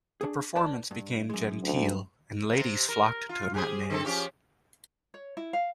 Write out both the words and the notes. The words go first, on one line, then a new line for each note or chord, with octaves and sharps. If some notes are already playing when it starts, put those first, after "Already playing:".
The performance became genteel, and ladies flocked to the matinees.
D4 G#4
B4 D5 A5
G2
F#2 G#3
D2
C3 C4 C5
A#4
F4
G4 G#4 C5
D3 C4 A4
F3 C#4 G4
C#5
E4
F5